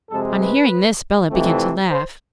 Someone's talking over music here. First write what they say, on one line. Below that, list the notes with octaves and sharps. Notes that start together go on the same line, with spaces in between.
On hearing this Bellah began to laugh.
F2 C3 G#3 A4
B4
F2 C3 E3 A3 C4
C5